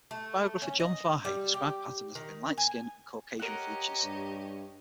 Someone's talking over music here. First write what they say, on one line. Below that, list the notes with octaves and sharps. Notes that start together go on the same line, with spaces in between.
Biographer John Fahey described Patton as having light skin and Caucasian features.
A3
C#4
D#5
G3
G4
D#3
G#5
G4 A#4 C#5 D#5 F#5
G2